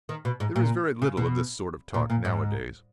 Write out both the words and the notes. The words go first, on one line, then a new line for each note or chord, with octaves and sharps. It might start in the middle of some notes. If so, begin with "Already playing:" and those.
There is very little of this sort of talk now-a-days.
D#3
B2
G#2
A#2
C#3
B2
A#2
A#2
G#2